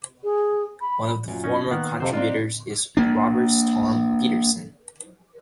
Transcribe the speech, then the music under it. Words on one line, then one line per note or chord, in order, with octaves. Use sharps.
One of the former contributors is Robert Storm Petersen.
G#4
B5
F#2 A#2
C#4 D#4
D#3 A#3 B3 F#5
F2 C3 C5
C4 D4 D#4 F4
A#3 D4